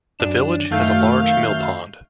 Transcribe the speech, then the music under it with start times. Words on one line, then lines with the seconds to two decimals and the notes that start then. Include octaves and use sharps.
The village has a large mill pond.
0.19 F#2 D4 E7
0.71 F#2 D#3 A3 F5 G6